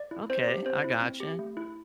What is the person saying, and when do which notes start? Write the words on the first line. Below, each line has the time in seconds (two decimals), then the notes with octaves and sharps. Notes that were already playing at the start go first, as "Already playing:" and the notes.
Okay, I gotcha.
Already playing: D5
0.11 E4
0.30 C4 C5
0.48 G4
0.66 C4 C5
0.84 E4
1.02 C4
1.20 G4
1.39 A3
1.57 E4